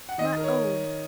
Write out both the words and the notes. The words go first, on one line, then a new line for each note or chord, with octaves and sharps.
My own!
F#5
D#3 D#5
A#4
C#5